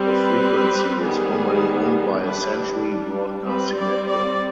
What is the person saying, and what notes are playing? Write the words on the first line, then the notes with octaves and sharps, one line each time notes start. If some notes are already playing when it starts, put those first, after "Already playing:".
The frequency is formerly owned by Century Broadcasting Network.
Already playing: G3 C4
B4
D#3 G3 B3 G#4
G3 D4 B4
G3 C4 B4
D5
D5